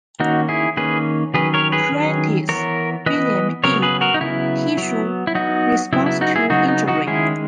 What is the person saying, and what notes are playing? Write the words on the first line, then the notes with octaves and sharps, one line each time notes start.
Prentice, William E. Tissue Response to Injury.
D#3 A#3 C#4 D#4 F#4
E4 G#4
D#3 A#3 C#4 G#4 B4
D#3 F#3 C#4 G#4 B4
A#4 C#5
G#4 B4
D#3 F#3 C#4
E3 B3 A#4 C#5
E3 B3 B4 D#5
C#3 F#3 B3 A#4 C#5
G#4 B4
F#4 A#4
D#4
C#3 F#3 B3 E4
F#3 B3
E4
F#3 B3 D#4 F#4
C#3 F#3 B3 E4
E4
D#4 F#4
E4 G#4
C#3 F#3 B3 D#4 F#4
D#4
D#4 F#4
D#3 G#3 C#4 E4 G#4